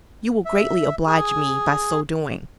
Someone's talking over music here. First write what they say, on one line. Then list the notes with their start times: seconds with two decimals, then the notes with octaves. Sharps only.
You will greatly oblige me by so doing.
0.45 E5
1.07 G#4